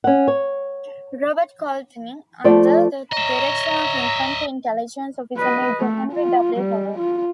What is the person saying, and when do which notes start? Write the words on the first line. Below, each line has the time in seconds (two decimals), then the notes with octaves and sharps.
Robert Colodny under the direction of Infantry Intelligence Officer Major Henry W. Hall.
0.04 C#4 F#5
0.28 C#5
2.44 F3 A3 D5
3.12 C#5 D#5 E5 A#5
5.37 B4 D#5
5.79 A3
6.12 F4
6.57 G3
6.99 F4